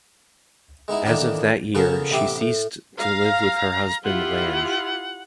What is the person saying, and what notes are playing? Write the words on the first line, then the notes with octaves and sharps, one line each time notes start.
As of that year, she ceased to live with her husband Lange.
G#3 B3 D#4 E4
F2 D#3 E3 A#3 B3 D4
C#3 F3 B3 C#4 A4 A#4
A1 C3 B3 G4 E5 D6
A2
F5 A#5
E4 F4 G4 F#5